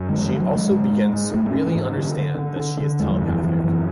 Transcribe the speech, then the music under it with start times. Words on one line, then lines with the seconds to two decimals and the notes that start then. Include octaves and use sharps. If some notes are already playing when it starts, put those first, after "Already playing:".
She also begins to really understand that she is telepathic.
Already playing: F#2
0.09 D3 G#3
0.24 E3
0.30 D3
0.40 F#3
0.51 D3 G#3
0.71 G#2
0.92 G#2
1.13 G#2
1.34 G#2 A3
1.50 C#4
1.55 G#2
1.65 E3
1.75 G#2
1.96 D3
2.17 D3
2.38 D3
2.59 D3
2.81 D3
3.00 E2 G#3
3.11 F#3
3.22 F#2 E3
3.43 F#2 E3
3.64 F#2 E3